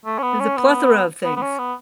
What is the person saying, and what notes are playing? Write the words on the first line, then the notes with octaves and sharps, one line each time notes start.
There's a plethora of things.
A3
C#4
B3
C#4
B3
B3
B3
C#4
B3